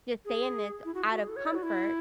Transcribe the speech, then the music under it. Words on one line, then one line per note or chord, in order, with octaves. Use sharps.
just stay in this out of comfort,
G#4
E4
F#4
E4
F#4
G#4
A4
C#5
D5
F#4
E4